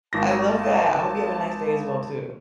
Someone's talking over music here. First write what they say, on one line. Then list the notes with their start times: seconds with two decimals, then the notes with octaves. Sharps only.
I love that, I hope you have a nice day as well, too.
0.13 G#1 A5 A#6